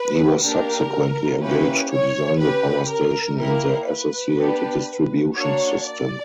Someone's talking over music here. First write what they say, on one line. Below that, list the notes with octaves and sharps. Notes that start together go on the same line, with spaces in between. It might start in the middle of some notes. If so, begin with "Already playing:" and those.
He was subsequently engaged to design the power station and the associated distribution system.
Already playing: B4
A#3 D4 G4 A#4
A#3 C#4 E4 G4 B4
C#5
C#4 G4 B4
A#4
A#3 E4 G4 A#4
B4
B3 D4 G4
A#3 D4 F#4 C#5
D5